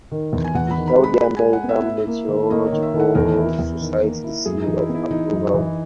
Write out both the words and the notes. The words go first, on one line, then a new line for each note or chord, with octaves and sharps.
He held the American Meteorological Society Seal of Approval.
D#3
E2
G#5
E2 F#5
B5
D#3
B5
G#3
B5
G#3 B5
G#3 G#5
F#5
B3
E5
E4
A#3
D#3
A#3 D#5
C#5
D#3
E5
D#3
F#5
E2 A#4
E4
E2
D#3
A#3
E4
F#2 G#4
D#4
E3
E4
B3
E4
E3 D#4
F#2
E3